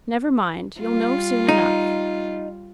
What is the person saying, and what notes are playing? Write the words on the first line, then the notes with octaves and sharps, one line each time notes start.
'Never mind; you'll know soon enough.
G3 F4
D#4